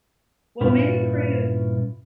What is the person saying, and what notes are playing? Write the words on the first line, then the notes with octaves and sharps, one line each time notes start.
Well, maybe create a
G2 A#2 C#4 E4 F4 B4